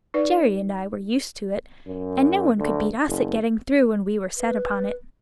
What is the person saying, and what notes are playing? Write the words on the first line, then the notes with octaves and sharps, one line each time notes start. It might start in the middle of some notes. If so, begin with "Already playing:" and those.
Jerry and I were used to it, and no one could beat us at getting through when we were set upon it.
D#4 B4 D5
F#2
D2
F#1
B4